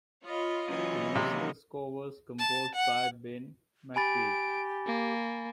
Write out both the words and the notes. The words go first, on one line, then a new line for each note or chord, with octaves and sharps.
The musical score was composed by Ben McPeek.
F4 C#5 D#5 B5
C#3 E3 F#3 C#5 D#5
C3 A#3
A5
F#5
G4 G#5 B5 A6 D7
A#3